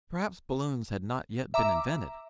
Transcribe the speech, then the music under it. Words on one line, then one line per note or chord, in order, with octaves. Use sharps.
Perhaps balloons had not yet been invented.
E5 A#5 D6